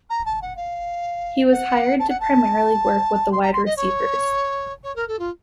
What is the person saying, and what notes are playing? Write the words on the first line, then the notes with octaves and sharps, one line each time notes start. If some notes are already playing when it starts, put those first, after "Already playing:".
He was hired to primarily work with the wide receivers.
A#5
A5
F#5
F5
F#5
A5
F#5
A5
C6
A#5
C6
D#5
C#5
C#5
A#4
A4
F4